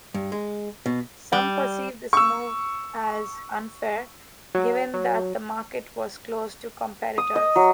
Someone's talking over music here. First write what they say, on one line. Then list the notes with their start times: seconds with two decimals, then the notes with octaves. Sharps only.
Some perceived this move as unfair, given that the market was closed to competitors.
0.14 G2
0.32 G#3
0.86 B2
1.33 G3
2.13 C#6 E6
4.55 F#3
4.94 F#3
7.18 D#6
7.36 D#5
7.56 F#3